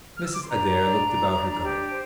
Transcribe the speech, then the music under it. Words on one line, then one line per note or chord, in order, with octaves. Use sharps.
Mrs. Adair looked about her garden.
F6
E6
D6
C6
D4 A#5
D4
D4
D4
G4
C5